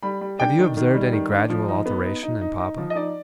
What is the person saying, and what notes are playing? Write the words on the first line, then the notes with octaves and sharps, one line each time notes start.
Have you observed any gradual alteration in Papa?'
G3 B5
G3
D4 G5
D#3
D#3
G3
D#3
D4
F3
D#4
B3
D#4
D#4
D#4
D#4
F3
D#5
D#4 D5